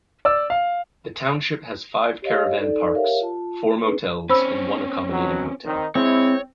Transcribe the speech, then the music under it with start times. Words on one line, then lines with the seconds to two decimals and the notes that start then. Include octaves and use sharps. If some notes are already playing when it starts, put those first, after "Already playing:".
The township has five caravan parks, four motels and one accommodating hotel.
0.25 D5 E6
0.50 F5
2.22 G4 C#5 D#5 F5
2.59 D#4 A4 D5
2.95 G4 A#4 C#5 E5 F5
3.21 F4 A5
3.83 C4 D4 D#4 G#4 B4
4.30 C4 C#4 C5 B5 E6
5.10 B2 F#3
5.65 D#3 C4 D#4
5.95 G#3 C4 E4 C#5